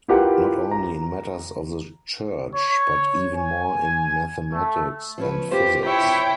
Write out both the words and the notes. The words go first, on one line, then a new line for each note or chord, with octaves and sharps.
Not only in matters of the church, but even more in mathematics and physics.
E4 F4 G4 A#4 B4 F#5
A#5
C#5
G#5
A3
F3 C#4 B4
F4 G4 C5
E4 C#5 E5 G5